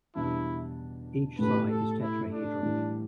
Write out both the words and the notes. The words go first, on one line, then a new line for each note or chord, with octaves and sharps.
Each Si is tetrahedral.
E2 B2 G3 B3 D4 E4
A2 A3 G4 B4
A4
E4
D4
A2 E3 G3